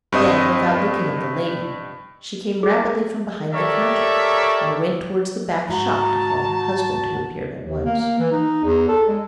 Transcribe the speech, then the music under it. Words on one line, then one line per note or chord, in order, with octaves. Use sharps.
Then, without looking at the lady, she came rapidly from behind the counter, and went towards the back-shop to call her husband, who appeared at once.
G2 C4 D#5 D#6
G#4
G4 A4 A#4 C#5 D5 E5
G#2 F#4 A5 A#5
D#2
A#3
A#3
E3
D#4
E2
A4
G#3